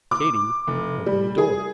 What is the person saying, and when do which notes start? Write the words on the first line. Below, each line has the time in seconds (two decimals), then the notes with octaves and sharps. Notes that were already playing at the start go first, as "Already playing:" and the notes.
Katy opened the door.
0.11 D6
0.67 F1
1.06 G3
1.38 G#4